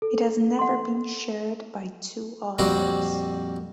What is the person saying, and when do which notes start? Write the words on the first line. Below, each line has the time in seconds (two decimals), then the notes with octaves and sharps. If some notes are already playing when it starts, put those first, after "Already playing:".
It has never been shared by two authors.
0.02 A4
0.59 F#5 C6
2.58 F2 A#2 G3 C4 F#4 A#5